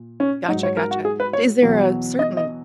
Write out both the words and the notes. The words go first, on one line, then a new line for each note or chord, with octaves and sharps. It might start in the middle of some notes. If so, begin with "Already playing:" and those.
Gotcha, gotcha. Is there a certain
Already playing: A#2
C#4
G#2 F#3 D#4
C#5
A#4
F#4
G#4
B4
C#5
E2 B2 F#3
D#5
D#5